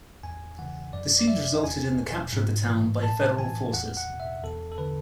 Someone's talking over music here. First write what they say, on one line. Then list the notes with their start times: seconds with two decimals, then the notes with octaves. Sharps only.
The siege resulted in the capture of the town by Federal forces.
0.23 E2 G#5
0.59 C#3 E3 F#5
0.93 F#2 D5
1.19 D5
1.28 E3 E5
1.63 E2 G#5
1.98 B2
2.33 G#2
2.68 E3
3.03 A2 A5
3.38 E3 G#5
3.74 E2 F#5
3.97 F#5
4.08 B2
4.20 E5
4.44 E2 A4
4.72 A4
4.78 D3 B4